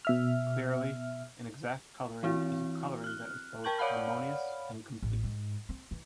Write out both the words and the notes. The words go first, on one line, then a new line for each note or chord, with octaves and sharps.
Clearly, an exact coloring is a coloring that is both harmonious and complete.
B2 E5 F6
E3 C4 E4 F#4
F6 F#6
A#4 G5 A5 C#6 G6 F#7
C#5 D5 F5 F#5 B5 F6
A1
G#2
C4
E3